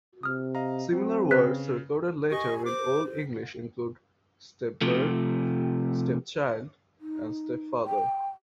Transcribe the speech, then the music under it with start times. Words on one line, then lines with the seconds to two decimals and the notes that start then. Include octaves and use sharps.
Similar words recorded later in Old English include "stepbairn", "stepchild" and "stepfather".
0.23 C3 D#6 F6
0.55 D#5 F5 A#5
0.92 F#3 C4
1.31 C#3 B4 F#6 B6
2.32 G4 D#5 G#5 C#6
2.66 C5 D6
4.81 C3 F3 A3
7.01 D#4
7.86 G5